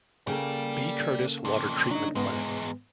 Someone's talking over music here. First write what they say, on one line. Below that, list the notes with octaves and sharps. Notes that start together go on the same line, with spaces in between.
B. Curtis Water Treatment Plant.
C#3 A#3 A4 D5 G5
F2 A#2
F#3 D4 D#4
E2 G#2 G#3 B3